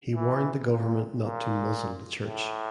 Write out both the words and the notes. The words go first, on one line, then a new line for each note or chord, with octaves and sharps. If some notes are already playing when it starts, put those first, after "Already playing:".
He warned the government not to "muzzle" the Church.
E3
A#2
A#2
A2